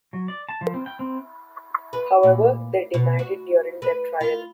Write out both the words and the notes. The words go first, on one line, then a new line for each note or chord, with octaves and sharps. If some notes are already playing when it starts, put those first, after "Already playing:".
However, they denied it during their trial.
F#3
D5
A5
F3
C4
G5
C4
B4
A#2
B2
F#4
B4
F4